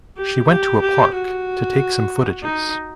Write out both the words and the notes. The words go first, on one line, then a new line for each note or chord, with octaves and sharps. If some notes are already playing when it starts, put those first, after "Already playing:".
She went to a park to take some footages.
G4
G4
G4
F#4
D#4